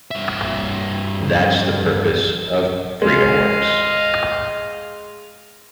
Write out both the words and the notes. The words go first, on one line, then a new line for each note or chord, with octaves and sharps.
That's the purpose of FreedomWorks.
G2 E5
G#3 D#5 F5